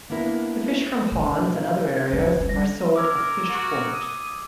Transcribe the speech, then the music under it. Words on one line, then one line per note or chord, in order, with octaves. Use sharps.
The fish from ponds and other areas are sold at the Fish Port.
A#3 B3 D4 E4 A#4
B2 A3
F5
G#6
B1 A3 B4
E3 C#4
F3 G3 A#6
A#4 D6 E6 G#6
F#4
D#6